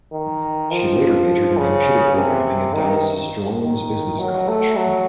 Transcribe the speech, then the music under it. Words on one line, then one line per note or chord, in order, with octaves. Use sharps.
She later majored in computer programming at Dallas's Draughon's Business College.
D#3
F3
C#3
C3
D#3
D#3
F#3
A3
F#3